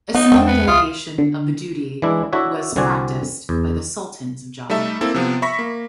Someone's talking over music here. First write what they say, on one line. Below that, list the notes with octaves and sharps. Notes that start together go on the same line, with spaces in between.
A similar delegation of the duty was practiced by the Sultans of Java.
B3 D#4 F#5
E2 G#3 A3 C4 F#5 G5
B3
C#2 F4 E5 D#6 C#7
D3
E3 G#3 D4 E4
D4 E4 F#4 A4 C#5 E5
C2 D3 C4 F#4 D5 G#5
E2
G3 A3 D#4 A4 E5
A#3 C4 E4 A4
C3 F3 B3
E5 B5 C#6 A#6 B6
A#3